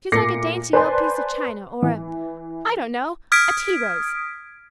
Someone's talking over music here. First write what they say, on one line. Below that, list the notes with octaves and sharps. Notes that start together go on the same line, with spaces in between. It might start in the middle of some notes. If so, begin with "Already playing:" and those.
She's like a dainty old piece of china, or a--I don't know, a tea rose!
A#2 A3 D6 A#6 C7 C#7
B4 C5 D5 G#5 A5 C6
E3
D#6 F6 G#6 B6 D7